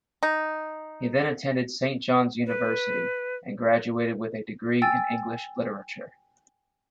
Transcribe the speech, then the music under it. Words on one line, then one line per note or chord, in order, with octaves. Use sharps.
He then attended Saint John's University, and graduated with a degree in English literature.
D#4
B4
G5 G#5 E6 A6